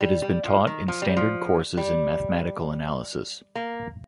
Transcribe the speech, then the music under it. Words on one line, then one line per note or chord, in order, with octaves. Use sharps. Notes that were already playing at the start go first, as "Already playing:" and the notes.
It has been taught in standard courses in mathematical analysis.
G3
G3
F3
D#3
F3
G3
F3
G3
A#3